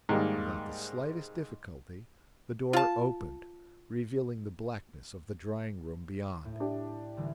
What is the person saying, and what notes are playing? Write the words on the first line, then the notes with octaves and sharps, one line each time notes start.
Without the slightest difficulty the door opened, revealing the blackness of the drying-room beyond!
G#2 D#3 G3 A#3
F4 A5
A2
D4 G4
C2 D3 E3